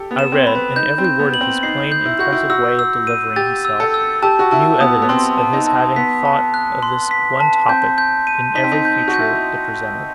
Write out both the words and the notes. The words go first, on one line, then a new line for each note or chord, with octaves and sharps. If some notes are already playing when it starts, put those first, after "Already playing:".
I read, in every word of his plain impressive way of delivering himself, new evidence of his having thought of this one topic, in every feature it presented.
Already playing: G4 A4
B3
E7
C4
C5 B5
B4
D#4 G6
C4
G6
B3
F#7
C4
D#4 C7
G6
E4
F#4 G6
E4
F#4 E6
E6
D#7
G4 A6
E6
A4
E6
G4 A5
F#4
E4 A5
B3 D#6
B3
C4 C6
A5
D#4
A5
B3 B6
A5
F#6
C6
B6
A5
C4 G6
G6
D#7
D#4 B6
C4
D#4
G6
F#4
G6
E4